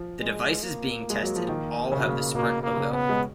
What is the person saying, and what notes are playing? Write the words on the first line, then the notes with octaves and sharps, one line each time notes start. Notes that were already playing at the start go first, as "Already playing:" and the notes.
The devices being tested all have the Sprint logo.
Already playing: F3
G#3
A#3
G#3
F#3
F3
D#3
C#3
B2
C#3
B2 A#3
A#3
C#3
B3
G#3